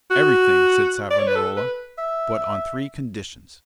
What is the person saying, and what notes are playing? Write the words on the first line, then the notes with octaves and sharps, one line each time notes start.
"Everything," said Savonarola, "but on three conditions."
F#4
D5
C#5
B4
A4
B4
E5